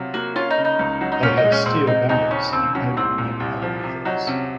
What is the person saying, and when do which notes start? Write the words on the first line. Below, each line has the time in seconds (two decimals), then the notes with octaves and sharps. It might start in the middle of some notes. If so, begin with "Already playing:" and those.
They had steel barrels and aluminium alloy heads.
Already playing: C3 F#3 F4
0.14 A#3 F#4
0.36 C#4 F4
0.51 D#4
0.58 C#3
0.65 D#4
0.79 C#2
1.01 F#3
1.12 D#4
1.23 A#2 C#4
1.37 D#4
1.44 G#3
1.52 C#4
1.66 A#2 C4
1.87 C4 D#4
2.09 D#2 D#4
2.31 C#3 C#4
2.53 D#2 C4
2.75 F#3 C#4
2.97 C2 C4
3.18 A#2
3.40 C2
3.62 F3
3.84 C3
4.05 F#3 D#4
4.27 C3 C#4